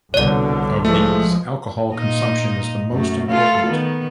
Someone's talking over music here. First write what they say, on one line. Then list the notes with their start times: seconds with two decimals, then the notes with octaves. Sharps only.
Of these, alcohol consumption is the most important.
0.14 C2 B2 D3 C#5 D5
0.85 F3 G#3 A3
1.94 A#2 D#4 D#5
2.92 F#2 A3
3.28 A3 F4 A4
3.67 D#3 B3